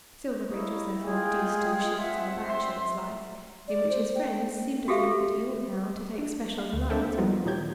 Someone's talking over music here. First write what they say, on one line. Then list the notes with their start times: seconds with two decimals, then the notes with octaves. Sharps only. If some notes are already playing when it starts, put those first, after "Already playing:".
Silverbridge was therefore reduced to the shifts of a bachelor's life, in which his friends seemed to think that he ought now to take special delight.
0.48 A#3 E4 C#5 D#5
1.04 G#3 F4 G#4 G5
1.98 C4 E5 F#5
2.46 E5 C6
3.68 D5
3.90 C5
4.15 G5
4.88 F#4 G4 A4 E5 F5
6.18 D4
6.58 F5
6.73 D2
6.90 A#3 C4 D4 A4 E5 G5
7.18 F3 G3 B3 D#4 F4 F#4
7.45 A#2 D#3 F#3 G4 G6 G#6